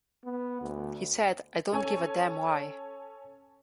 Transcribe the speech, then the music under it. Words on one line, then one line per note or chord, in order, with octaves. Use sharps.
He said, I don't give a damn why.
B3
D2
C#4 A4 C#5 G#5